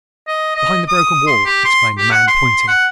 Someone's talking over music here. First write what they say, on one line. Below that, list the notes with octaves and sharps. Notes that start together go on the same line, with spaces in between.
"Behind the broken wall," explained the man, pointing.
D#5
D#5
D#6
C6
G4
C6
G4
F#5
C6
F#5